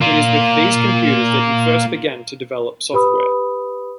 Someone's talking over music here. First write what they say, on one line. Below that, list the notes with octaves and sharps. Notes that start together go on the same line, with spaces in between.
It is with these computers that he first began to develop software.
A#3 F4
G4 B4 B5 D#6